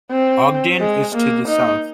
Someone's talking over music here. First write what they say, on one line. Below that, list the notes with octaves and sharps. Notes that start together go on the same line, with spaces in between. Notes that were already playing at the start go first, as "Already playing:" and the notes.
Ogden is to the south.
C4
G#3
A#3
D#4